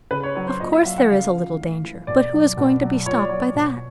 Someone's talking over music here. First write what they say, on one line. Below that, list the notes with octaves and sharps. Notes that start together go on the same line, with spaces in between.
"Of course there is a little danger, but who is going to be stopped by that?"
C#3 B4
C#5
F#3 C#5
C5
A#2 D#5
E5
F#3 F5
F#5
C#3 F5
F3
A2
E3
B2 D5
F#3
B2
F#3
A#2 C#5
D5
F#3 C#5
B2